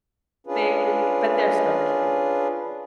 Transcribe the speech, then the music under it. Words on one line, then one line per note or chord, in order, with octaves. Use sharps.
They re but they're so cute.
C#4 D4 F4 G#4 B4